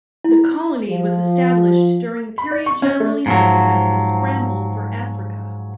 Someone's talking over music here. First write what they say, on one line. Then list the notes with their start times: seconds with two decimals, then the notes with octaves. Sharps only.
The colony was established during the period generally known as the "Scramble for Africa".
0.24 E4
0.89 F3
2.38 B5
2.51 D5
2.66 C#6
2.82 C#4
3.00 A3
3.26 G#2 F3 F#3